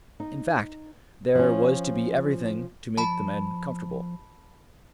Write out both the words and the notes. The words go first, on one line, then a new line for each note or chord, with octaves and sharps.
In fact, there was to be everything to make the men comfortable.
D#4
F3 C#4
F3 A5 B5